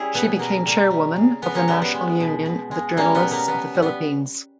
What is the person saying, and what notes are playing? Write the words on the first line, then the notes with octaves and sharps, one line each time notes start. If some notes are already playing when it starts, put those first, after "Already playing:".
She became Chairwoman of the National Union of the Journalists of the Philippines.
Already playing: G3 C#4 E4 G#4
B2 B3
B2 A#3
G3 A#3
G3
C#3
C#3 B3
A#3 C#4
G3 B3
B3
G#3
B2
B2
G#3
G3 A#3 C#4
B3
B2
A#3
B2 B3
G3
B3